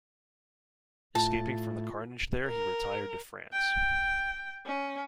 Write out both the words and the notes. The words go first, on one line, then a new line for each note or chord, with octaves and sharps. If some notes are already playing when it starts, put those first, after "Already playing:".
Escaping from the carnage there he retired to France.
A2 F4 A5
A#4
G5
C#4